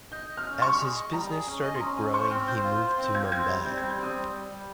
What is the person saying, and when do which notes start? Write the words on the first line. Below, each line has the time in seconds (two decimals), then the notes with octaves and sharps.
As his business started growing, he moved to Mumbai.
0.12 D#5 G6
0.29 D#5
0.37 F6
0.46 C#4
0.62 G3 C#6
0.80 G#4
0.96 D#5
1.13 G3 A#5
1.29 G#4
1.47 C#4
1.63 D#5 G#5
1.75 C6
1.80 C#4 A#5
1.97 C#4 G#5
2.13 C5 C#6
2.30 C4 F6
2.47 C5 G6
2.64 F4
2.81 C5
2.98 C4
3.03 G6
3.15 F4 G#6
3.31 C4 G#6
3.48 G3 G6
3.65 C4 G6
3.77 G3 G#6
3.90 G6
3.99 C4 D#6
4.15 G3
4.33 G3
4.49 G3